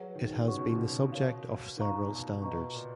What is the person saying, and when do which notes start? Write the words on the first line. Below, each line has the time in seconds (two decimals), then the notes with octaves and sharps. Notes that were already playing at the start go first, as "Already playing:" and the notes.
It has been the subject of several standards.
Already playing: F#3 G#4 B4 F#5
0.15 D#3
0.47 C#3 F#4 C#5 F#5 C#6
0.57 B2
0.69 A#2
0.79 B2
1.12 B2 A#4 C#5 F5
1.77 A#2 D#4 A#4 F5 A#5 C#6
2.09 B2
2.42 B2 B4 D#5 A#5 C#6
2.75 A#2